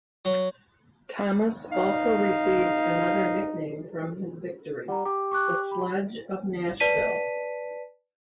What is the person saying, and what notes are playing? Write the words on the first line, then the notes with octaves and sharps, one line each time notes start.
Thomas also received another nickname from his victory: "The Sledge of Nashville".
F#3
D#4 F5
G3 F#5 A#5
G4 D6
C#6 D6 F#6
B5
B4 D5 A5 B6 D#7